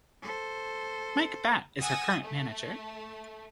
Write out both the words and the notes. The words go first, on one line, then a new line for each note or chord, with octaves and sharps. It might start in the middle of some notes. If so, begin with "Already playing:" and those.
Mike Batt, is her current manager.
A4 C5
F#5 G#5 D#6 E6 G#6 A#6
A3